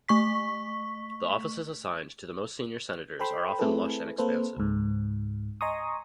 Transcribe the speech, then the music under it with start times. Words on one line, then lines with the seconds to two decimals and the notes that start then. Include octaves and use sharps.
The offices assigned to the most senior senators are often lush and expansive.
0.09 A3 C#6 B6
3.19 A4 C5 G5 B5 C6
3.59 A3 C4 E4 G#4 A4 B4
4.18 A#3 C4 A4 B4 C5
4.57 C#2 G#2
5.61 D#5 G#5 A#5 C6 C#6 D#6